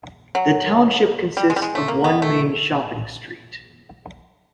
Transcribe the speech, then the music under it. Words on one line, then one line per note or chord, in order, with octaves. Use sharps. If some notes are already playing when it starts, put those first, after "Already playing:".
The township consists of one main shopping street.
F#3
G3
G#3
G3
G#3
A3
A#3
B3
A3